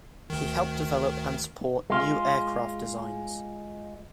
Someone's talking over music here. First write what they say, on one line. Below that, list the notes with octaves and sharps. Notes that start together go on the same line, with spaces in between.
He helped develop and support new aircraft designs.
D2 D#3
G#3 F4